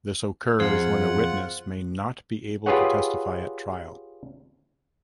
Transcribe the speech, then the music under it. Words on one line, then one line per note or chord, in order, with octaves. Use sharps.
This occurs when a witness may not be able to testify at trial.
F2 F4 G#4 C5 F#5
F4 G4 G#4 B4 C#5 F#5